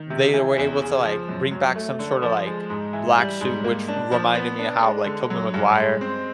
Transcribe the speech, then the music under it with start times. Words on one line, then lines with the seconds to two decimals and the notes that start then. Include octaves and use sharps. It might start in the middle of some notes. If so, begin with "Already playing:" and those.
They were able to, like, bring back some sorta, like, black suit, which reminded me of how, like, Tobey Maguire
Already playing: D#3
0.10 C3
0.34 E3
0.58 E2
0.81 C#3
1.05 F3
1.28 F#2
1.51 F#3
1.76 A3
1.99 D3
2.22 F3
2.46 G#3
2.70 G#2
2.93 E3
3.17 G3
3.41 G#2
3.64 A#3
3.88 D4
4.12 F3
4.35 B3
4.59 D4
4.82 G#3
5.06 D3
5.30 F#3
5.54 G2
5.77 G#3
6.01 C4